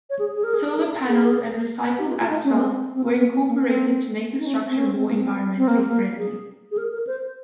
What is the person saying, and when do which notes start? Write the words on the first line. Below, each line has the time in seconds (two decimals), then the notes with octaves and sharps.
Solar panels and recycled asphalt were incorporated to make the structure more environmentally friendly.
0.10 C#5
0.19 G#4
0.35 G#4
0.44 A#4
0.54 G#4
0.73 A#4
0.79 G#4
1.05 A#4
1.09 G#4
1.98 G4
2.09 F4
2.19 F4
2.29 D#4
2.44 C#4
2.52 A#3
2.58 C4
2.95 C4
3.04 A#3
3.18 C4
3.33 C4
3.48 A#3
3.63 C4
4.38 D#4
4.46 C#4
4.54 C4
4.68 C4
4.77 C#4
4.86 C4
4.98 C4
5.08 A#3
5.18 C4
5.57 C4
5.68 A#3
5.87 A#3
6.18 G#4
6.71 G#4
6.78 A#4
6.93 A#4
7.07 C5